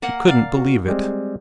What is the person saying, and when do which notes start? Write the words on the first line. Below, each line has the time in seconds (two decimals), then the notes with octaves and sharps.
She couldn't believe it.
0.02 A#3 A#4 F#5
0.27 D5 F5
0.56 F#4
0.88 G3 G#3 C4